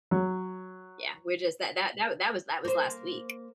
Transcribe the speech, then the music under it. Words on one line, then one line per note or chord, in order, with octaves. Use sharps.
yeah, we're just that that that that was that was last week.
F#3
A#3 C5